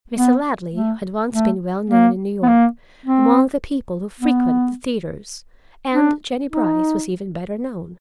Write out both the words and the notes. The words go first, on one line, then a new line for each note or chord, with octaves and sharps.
Mr. Ladley had once been well known in New York among the people who frequent the theaters, and Jennie Brice was even better known.
B3
A3
A3
A#3
B3
A#3
C4
B3
D4
D#4